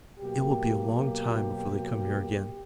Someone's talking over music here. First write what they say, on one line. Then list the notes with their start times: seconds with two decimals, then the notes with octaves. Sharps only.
It will be a long time before they come here again.
0.20 B2 F#3 A#3 G4
0.78 G4